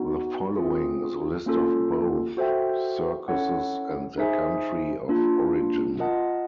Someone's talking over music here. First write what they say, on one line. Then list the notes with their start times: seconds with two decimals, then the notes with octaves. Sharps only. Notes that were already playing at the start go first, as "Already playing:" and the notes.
The following is a list of both circuses and their country of origin.
Already playing: B3 D#4 F#4
0.56 C4 F4 G#4
1.46 A#3 C#4 F4 A4
2.37 F#4 A4 C5 E5 G5
3.28 C#4 E4 A4 C#5 F#5
4.18 D#4 G#4 C5 E5 G#5
5.09 A#3 D4 F4
5.99 F4 A#4 D#5 F#5 A5